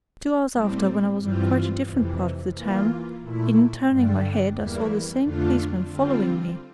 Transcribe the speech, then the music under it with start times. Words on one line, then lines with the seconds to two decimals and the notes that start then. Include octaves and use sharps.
Two hours after, when I was in quite a different part of the town, in turning my head I saw the same policeman following me.
0.53 A2 G3 C4
1.19 G2 E3 G3 C4 F4
1.86 F2 C3 E3
2.53 E3 A#3 F4
3.21 A#2 A3 E4
3.88 G2 D3 G3 D4
4.54 E2 E3 G3 A#3 E4
5.22 F2 D3 A3 D4 F4
5.89 D3 G3 C4 F4